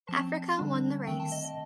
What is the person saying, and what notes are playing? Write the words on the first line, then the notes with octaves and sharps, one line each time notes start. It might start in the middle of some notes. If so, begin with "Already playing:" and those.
Africa won the race.
F3 C4 A5
D3 G3 D4
D#3 A3 C4 G5
A5
D#5
D#5